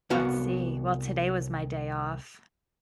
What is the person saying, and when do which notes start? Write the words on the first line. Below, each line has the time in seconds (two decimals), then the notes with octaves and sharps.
Let's see, well, today was my day off.
0.10 C2 B3 F#4 F5